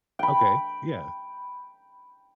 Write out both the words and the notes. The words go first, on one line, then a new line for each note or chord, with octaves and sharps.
Okay. Yeah.
G5 B5